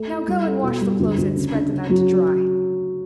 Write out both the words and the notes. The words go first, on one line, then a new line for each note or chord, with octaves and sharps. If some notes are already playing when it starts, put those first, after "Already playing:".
Now go and wash the clothes and spread them out to dry.'
Already playing: A3
E4
G3
A4
B2
G3
D2
D2
C#3
D4
C#3
F#3